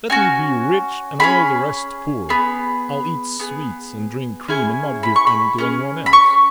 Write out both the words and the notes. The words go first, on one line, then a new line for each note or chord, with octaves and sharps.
Let me be rich and all the rest poor, I'll eat sweets and drink cream and not give any to any one else.
C#4 F#4 G#5
C#4 E4 G#4 B5
B3 G#4 B5
B3 G#4
C#4 E4 G#4 G#5
B5
C#6
B5
C#4 G#4
B5
C#6